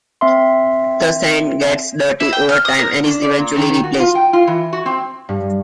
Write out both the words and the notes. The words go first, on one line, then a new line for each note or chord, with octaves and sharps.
The sand gets dirty over time and is eventually replaced.
C4 E5 C6
E4
G5
F6
D#6
A#4
D4
D5
A#2
D#3
D#3
F#4
F4
G5
F4
E3
F#4
C4
G2